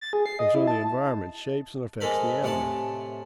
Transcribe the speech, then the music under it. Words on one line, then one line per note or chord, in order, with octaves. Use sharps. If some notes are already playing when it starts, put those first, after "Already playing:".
And so the environment shapes and affects the animal.
A6
G#4
C7
D#5
E4
A5
G#2 G#3 A4 A#4 B5
A2 C3 F#5 G#5 A5